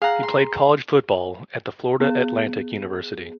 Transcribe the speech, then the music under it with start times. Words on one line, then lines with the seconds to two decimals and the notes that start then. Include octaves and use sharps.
He played college football at the Florida Atlantic University.
0.02 G#4 F5 F#5 A#5
0.23 C6
2.00 B3 G#4